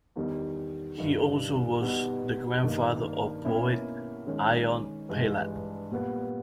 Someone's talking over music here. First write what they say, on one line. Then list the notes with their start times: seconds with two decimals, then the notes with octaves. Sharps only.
He also was the grandfather of poet Ion Pillat.
0.16 E2 D#3 G3
0.97 G2 D#3 G3
1.81 B2 G3 B3 D#4
2.62 G2 D#3 A#3
3.45 B2 A#3 C#4 E4
4.27 D#3 G#3 C#4
5.09 G2 E3 G#3
5.91 A#2 G3 B3